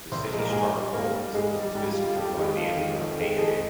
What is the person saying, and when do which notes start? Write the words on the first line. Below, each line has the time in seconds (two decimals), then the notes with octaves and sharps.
The city struck coins and was visited by the Emperor Hadrian.
0.12 C2 C5 C6
0.32 A#2 F3 G#3
0.39 A#4 A#5
0.52 G#2 G#4 G#5
0.73 G3
0.93 G#2 A#3 A#4
1.14 G3
1.34 G#2 G#3 G#4
1.55 G3
1.75 G#2 G3 G4
1.88 F4
1.95 G3
2.03 F4
2.15 F2 G3 G4
2.37 D#3 G#3
2.56 F2 F4
2.77 D#3 G#3
2.97 F2
3.17 D#3 G#3
3.38 F2 G#3 G#4